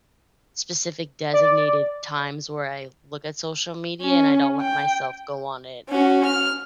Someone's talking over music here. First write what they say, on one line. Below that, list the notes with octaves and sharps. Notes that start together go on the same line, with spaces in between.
specific designated times where I look at social media, and I don't let myself go on it
D5
C#4
G5
C#4 F#4
F6